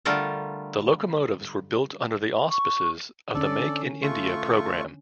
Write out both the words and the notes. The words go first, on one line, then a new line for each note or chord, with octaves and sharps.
The locomotives were built under the auspices of the Make in India program.
D3 G3 A3 F4 A#4
C#6
D3 C#4 A4 D5
A3 F4 C#6